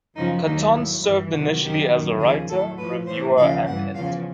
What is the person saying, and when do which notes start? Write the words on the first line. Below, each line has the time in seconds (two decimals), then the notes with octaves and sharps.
Catton served initially as a writer, reviewer, and editor.
0.15 F#2 C#3 F3 D#4
0.44 D#2 D#3 F#3 D#4
0.73 A2 F#3 E4
1.03 G2 E3 E4
1.32 E2 C3 D#3 F#3 F#4
1.62 F#2 D#3 F#3 G4
1.91 F#2 D#3 F#3
2.19 D#2 C#3 F3 G#4
2.50 A2 F#3 A4
2.78 A2 F3 B4
3.07 A2 E3 C5
3.36 D#2 C#3 F3 F5
3.66 G2 E3 F#5
3.94 E2 C#3 F3 F5